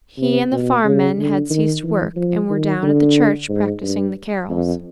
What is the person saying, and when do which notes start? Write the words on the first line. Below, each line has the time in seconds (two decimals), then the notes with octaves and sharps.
He and the farm men had ceased work, and were down at the church, practising the carols.
0.18 C3
0.52 B2
0.85 C#3
1.18 D3
1.50 D#3
1.84 E3
2.17 F3
2.50 D#3
2.83 D3
3.49 G#2
3.83 G2
4.50 F2